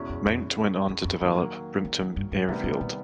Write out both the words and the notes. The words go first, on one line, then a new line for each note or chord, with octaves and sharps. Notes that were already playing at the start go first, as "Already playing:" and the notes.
Mount went on to develop Brimpton Airfield.
Already playing: E2 B2 G#3 C#4 E4
F2
F2
E2
F2
F#2 D#3 F#3 A#3
F2
F#2
G2
G2
A2 C3 D#3 G3 B3
A#2
A#2